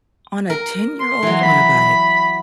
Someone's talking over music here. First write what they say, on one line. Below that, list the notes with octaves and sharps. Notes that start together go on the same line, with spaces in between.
On a ten-year-old on a bike.
A#4
C6
E3 F#3
B5